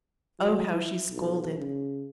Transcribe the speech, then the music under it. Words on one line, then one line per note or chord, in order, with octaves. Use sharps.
Oh, how she scolded.
F#3
E4
B1
C#3